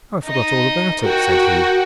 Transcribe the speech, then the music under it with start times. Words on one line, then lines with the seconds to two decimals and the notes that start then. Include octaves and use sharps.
'I forgot all about it,' said he.
0.24 D#4 D#5
1.01 F#4 A#4 G5